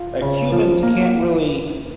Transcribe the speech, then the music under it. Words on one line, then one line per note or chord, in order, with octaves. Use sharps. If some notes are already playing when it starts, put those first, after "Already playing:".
uh, humans can't really
Already playing: F4
C#3
F3
A#3